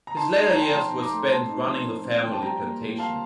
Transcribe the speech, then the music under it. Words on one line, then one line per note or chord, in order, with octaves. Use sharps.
His later years were spent running the family plantation.
A#5
D#4 A5 C6
D#4
A#5
F3 A5
G5 A#5
F3 A5 C6
D#4
A#5 D6
A3
C4 A5 C6
D#4
F3
C4
C4
F3 G5
A5
G3 G5 A#5
A#3
A#3
F4 F5 A5